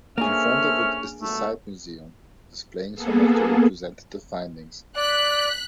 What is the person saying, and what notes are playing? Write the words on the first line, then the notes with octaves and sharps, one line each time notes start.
In front of it is the site museum, displaying some of the representative findings.
A#3 C#4 D4 G#4 A4 C5 E5 F6
G1 F#3 A3
A#3 B3 G#4 A4
D5 F#6 B6